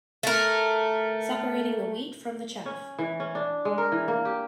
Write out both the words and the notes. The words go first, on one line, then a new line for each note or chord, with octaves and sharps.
Separating the wheat from the chaff.
A3 A#4
C#4
E3
C#4
D4
G#3
A#4
E3
A#3
G4